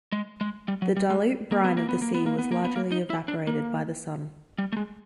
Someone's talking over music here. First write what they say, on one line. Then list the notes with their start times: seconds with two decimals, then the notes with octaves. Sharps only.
The dilute brine of the sea was largely evaporated by the sun.
0.12 G#3
0.41 G#3
0.68 G3
0.82 F#3
0.97 G3
1.10 G#3
1.52 A#3
1.65 B3
1.77 A#3
1.89 B3
2.02 A#3
2.14 B3
2.26 A#3
2.38 B3
2.52 A#3
2.64 B3
2.76 A#3
2.92 D#4
3.10 E4
3.28 D4
3.47 A#3
4.58 G3
4.72 A3
4.77 G#3